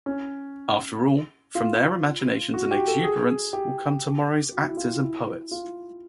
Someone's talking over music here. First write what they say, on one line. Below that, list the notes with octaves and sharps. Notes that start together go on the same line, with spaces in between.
After all, from their imaginations and exuberance will come tomorrow's actors and poets.
C#4
F4
F#4
G4
A4
G#4
G4
F#4
E4
F4
E4
F4